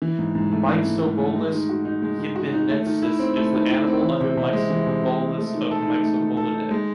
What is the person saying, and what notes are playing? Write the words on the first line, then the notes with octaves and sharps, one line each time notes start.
Myxobolus yibinensis is the animal under Myxobolus of Myxobolidae.
E3
G#2
G#2
A3
E3
G#2
G#2
A3
G#3
D#3
F#4
D#4
G#3
D#3
F#4
D#4
A3
D#3
E4
C4
A3
D#3
E4
C4
E3
C3
C3
G#3
E3
C3
C3
G#3
A3
D#3
A4
D#4
A3
D#3
A4
D#4
G#3